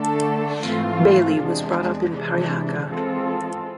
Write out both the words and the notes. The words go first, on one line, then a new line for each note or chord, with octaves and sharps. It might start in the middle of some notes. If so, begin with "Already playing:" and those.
Bailey was brought up in Parihaka.
Already playing: D3 A3 D4 A4
G#2 E3 A3 C4 F4
E2 C3 G#3 D4
C3 E3 G#3 D4
E3 G#3 C4 F4 A4